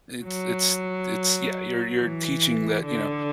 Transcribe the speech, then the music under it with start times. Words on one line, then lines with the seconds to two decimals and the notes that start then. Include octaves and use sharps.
it's it's it's yeah, you're you're teaching that, you know,
0.24 F#3
1.98 E3
2.85 D3